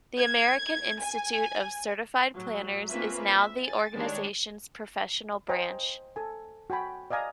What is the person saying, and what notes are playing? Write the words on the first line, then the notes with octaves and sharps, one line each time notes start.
The American Institute of Certified Planners is now the organization's professional branch.
G#6
G#5
A2 F#3
A#3 C4 C#4 F4 B4 E5
E5
G#5 A6
D#3 G3 G#3 D4 C#5
C5 D#5 G5 G#5 A#5
A4 G#5
F#4 G5 G#5 B5
D5 D#5 F5 G#5 A#5